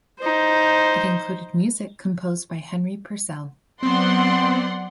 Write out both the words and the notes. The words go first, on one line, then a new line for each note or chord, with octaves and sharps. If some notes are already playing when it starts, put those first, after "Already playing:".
It included music composed by Henry Purcell.
D#4 C5
F#3 B3 C4 D5 F#5 C6